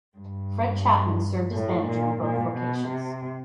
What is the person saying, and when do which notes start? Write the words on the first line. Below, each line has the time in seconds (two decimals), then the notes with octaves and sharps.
Fred Chapman served as manager in both locations.
0.17 G2
1.53 A2
1.88 A#2
2.22 A#2
2.55 B2
2.89 C3